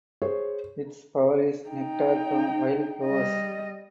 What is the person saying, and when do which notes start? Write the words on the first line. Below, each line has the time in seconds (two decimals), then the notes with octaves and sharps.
Its power is nectar from wild flowers.
0.22 G#4 C5 C#5
1.68 D#4 G5
3.06 G3 D#5